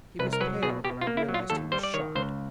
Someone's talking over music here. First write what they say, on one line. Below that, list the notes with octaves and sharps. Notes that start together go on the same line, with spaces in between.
He was pale, and I realized he was shocked.
C2 B4
A#4
F#3 B4
B2 G#4
B2 G4
F4
A#3
E4
F#3
F4
D#2 A4
G3 C5
D5
D#3 C#5
C#2 C5